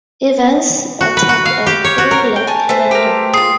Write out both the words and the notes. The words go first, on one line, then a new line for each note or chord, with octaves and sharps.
Evans batted and threw left-handed.
F#4
B4
F#4
F5
G4
C#5
F#4
A#4
G5
G#5 A5
A3 B4 C5
G4 A#4
F4 G#4 D#6 C7